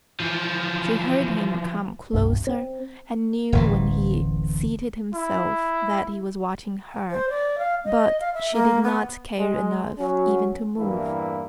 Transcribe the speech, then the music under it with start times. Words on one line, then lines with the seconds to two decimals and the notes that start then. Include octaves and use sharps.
She heard him come closer and knew when he seated himself that he was watching her, but she did not care enough even to move.
0.20 E3 F3
2.13 D#1 C2 G2 B2
2.47 C4
3.52 D1 A1 E3
5.14 E4
7.11 C5
7.29 D5
7.58 F5
7.84 D#5
8.20 F5
8.34 E5
8.52 A#3
8.83 B3
9.38 G#3
9.98 F#3 C#4
10.78 E2 G2 E3 A#3 E4